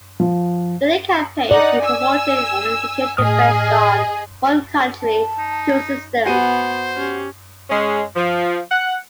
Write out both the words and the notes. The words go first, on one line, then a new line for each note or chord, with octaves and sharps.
During the campaign, he promoted unification based on "one country, two systems".
F3
D#4 D5 F#5
G#5 E6
A2 G#4 D#5 D#6 F6
A5
D#4
B3 F#4 C5 F#5 G#5 D#7
C#4 G4
G#3 C#4
F3
F#5